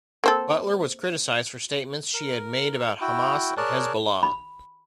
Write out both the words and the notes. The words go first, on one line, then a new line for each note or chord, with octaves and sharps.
Butler was criticized for statements she had made about Hamas and Hezbollah.
A#3 C4 A4
A#4
E4 F#4 G5
G#4 A#4 C#5 D5 A5 F#6
B5